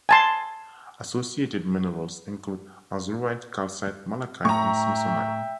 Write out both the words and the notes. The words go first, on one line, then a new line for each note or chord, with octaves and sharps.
Associated minerals include azurite, calcite, malachite, and smithsonite.
G#5 A5 C6
A2 E5 G5 A#5 C#6